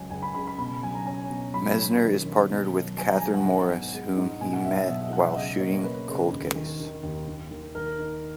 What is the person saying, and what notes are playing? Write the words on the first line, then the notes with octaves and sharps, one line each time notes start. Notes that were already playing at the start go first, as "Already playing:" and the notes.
Messner is partnered with Kathryn Morris, whom he met while shooting "Cold Case".
Already playing: C#2 F#3 G#5
C#2 G#5
B5
C#3 B5
B5
B2 B5
F#3 G#5
A#5
C#4 G#5
B2
F#3 B5
C#4
D#3
D#3
B2
F#3
F#3 G#5
A#5
F#3 G#5
F#5
G#2
B3
G#3
G#2
B2 G#5
F#5
F#3 E5
D#5
B2 E5
E5
F#3 F#5
E5
C#3 D#5
A#3 C#5
A#3 B4
C#3
D#2
D#3
D#3
D#2
D#2
D#3
D#3 A#4
D#4